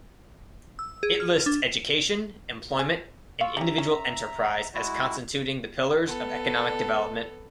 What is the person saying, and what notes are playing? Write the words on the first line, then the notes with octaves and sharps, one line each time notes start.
It lists education, employment and individual enterprise as constituting the pillars of economic development.
E6
G#4
F6
D4
G#4
F4 F5 C#6 E6
G3 C#4 E5 A#5
C#4
G#3 E4 F#4
B3 A4